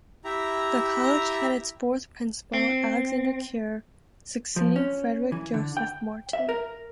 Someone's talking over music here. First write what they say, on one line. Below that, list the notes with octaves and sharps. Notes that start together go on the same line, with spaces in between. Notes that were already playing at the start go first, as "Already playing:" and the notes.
The College had its fourth Principal, Alexander Keir, succeeding Frederick Joseph Morten.
E4 G4 E5 A#5
C4
F3
C#4
E3
D3
G5
E5
A#4